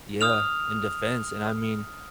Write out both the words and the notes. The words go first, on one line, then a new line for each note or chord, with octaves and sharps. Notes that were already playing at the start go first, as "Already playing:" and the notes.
Yeah. In defense, and I mean,
D#6 F6 F7